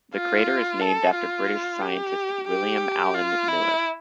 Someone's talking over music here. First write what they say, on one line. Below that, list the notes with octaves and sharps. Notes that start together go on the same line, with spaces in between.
The crater is named after British scientist William Allen Miller.
F4
A4
F4
G4
G4
F4
E4